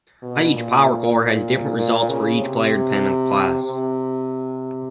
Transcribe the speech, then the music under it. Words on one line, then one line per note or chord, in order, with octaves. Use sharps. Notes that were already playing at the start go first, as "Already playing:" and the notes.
Each Power Core has different results for each player depending on class.
B2
A#2
A#2
C#3
C3
C3